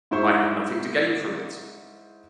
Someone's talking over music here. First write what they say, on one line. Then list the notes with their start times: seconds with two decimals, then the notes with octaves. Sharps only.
I had nothing to gain from it.
0.11 G#2 E4 C5 C#6